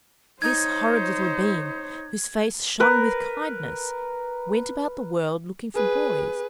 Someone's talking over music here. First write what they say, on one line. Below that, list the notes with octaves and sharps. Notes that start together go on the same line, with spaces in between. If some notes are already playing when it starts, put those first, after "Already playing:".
This horrid little being, whose face shone with kindness, went about the world looking for boys.
D#4 C5 C#5 G#6
A#4 B4
G#4 B4